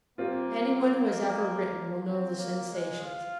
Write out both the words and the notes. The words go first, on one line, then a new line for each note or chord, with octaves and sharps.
Anyone who has ever written will know the sensations.
G3 A#3 C4 F4
C4
A#3
G#3
F4